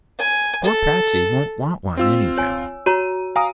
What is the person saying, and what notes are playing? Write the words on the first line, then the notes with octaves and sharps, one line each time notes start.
Poor Patsey won't want one, anyhow.'
G#5
A4
C4 F4 E6
C#5 G#5
F#4 C#5 A#5 D#7
F5 G#5 A#5 D#6